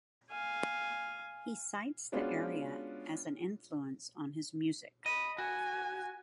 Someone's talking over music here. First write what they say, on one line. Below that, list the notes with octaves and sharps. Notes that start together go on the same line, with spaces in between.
He cites the area as an influence on his music.
F5 G#5
G#3 B3 C#4 D4 F4 F#4
D#5 B5
F#4 G#5